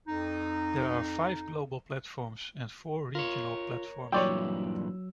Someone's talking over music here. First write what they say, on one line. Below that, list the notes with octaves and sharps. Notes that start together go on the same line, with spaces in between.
There are five global platforms and four regional platforms.
F2 D#4
F4 A#4 C#5
G2 A#2 E3 F#3 C#5 D5 G5 E6